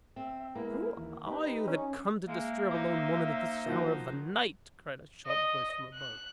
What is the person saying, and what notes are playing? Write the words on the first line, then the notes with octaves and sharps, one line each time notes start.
"Who are you, that come to disturb a lone woman at this hour of the night?" cried a sharp voice from above.
C4 E5
G#3 A#3 B3 E4
D#2 E3
D#4 G4 B4
C#4
G#3 A#3 E5
D#4 C5 D6
D#3 F3 F#3
D#5
F#6